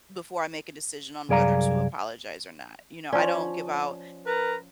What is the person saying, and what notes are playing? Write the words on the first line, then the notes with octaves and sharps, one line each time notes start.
before I make a decision on whether to apologize or not. You know, I don't give out
C2 F#2 G#4 D5 F5 A#5
F3 C#4 D5
A#4 B4 A#5